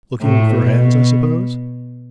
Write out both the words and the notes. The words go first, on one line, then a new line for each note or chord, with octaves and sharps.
'Looking for hands, I suppose?'
A2
B2